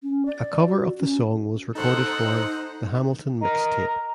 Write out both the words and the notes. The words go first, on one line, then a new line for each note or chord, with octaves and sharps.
A cover of the song was recorded for "The Hamilton Mixtape".
C#4
D5
F#4
C#4
D#4 A4 C5 F#5
A#4 D#5 A#5